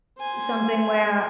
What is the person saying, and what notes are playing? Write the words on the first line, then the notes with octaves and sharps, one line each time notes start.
something where
C5 G#5